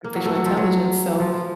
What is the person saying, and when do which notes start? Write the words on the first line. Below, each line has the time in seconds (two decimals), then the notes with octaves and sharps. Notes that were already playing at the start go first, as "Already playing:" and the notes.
artificial intelligence, so,
0.04 A#3
0.15 F#3
0.26 A3
0.36 F#3
0.46 F3
0.57 F#3
1.20 F3
1.34 F3